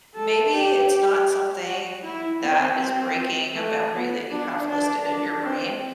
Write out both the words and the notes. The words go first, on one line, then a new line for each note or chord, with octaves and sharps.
maybe it's not something that is breaking a boundary that you have listed in your brain.
A4
G4
F#4
E4
C4
A3
B3
D4
D4
D4
C4